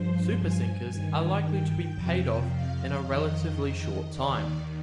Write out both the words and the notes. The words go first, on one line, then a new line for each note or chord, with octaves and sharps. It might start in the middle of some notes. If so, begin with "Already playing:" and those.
Super sinkers are likely to be paid off in a relatively short time.
Already playing: G2 F3 C5
G#5
G2 D#3
G5
F2 C3 F3
F5
F2 D#3 D#5
D#2 D#3 D5